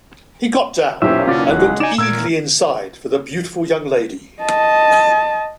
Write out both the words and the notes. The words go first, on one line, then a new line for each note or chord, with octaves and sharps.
He got down, and looked eagerly inside for the beautiful young lady.
B1 E2 A#2 C#4 G4 C5 E5
C#3 C#4 F4 F#4 D5
D#1 G#3 F#5
D#4 D5 G#5 E7
A#2 A#4 E6 G#6 D7
D#5 A5